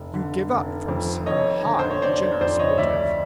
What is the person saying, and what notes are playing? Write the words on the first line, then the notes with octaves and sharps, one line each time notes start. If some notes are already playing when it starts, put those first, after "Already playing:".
"You give up from some high, generous motive."
Already playing: F1
D3
F1
F2
F1 C#5 D#5
D3
C5
C#5
F1 C5 D5
F2 C5 D5
C#5 D#5
D2 D5 E5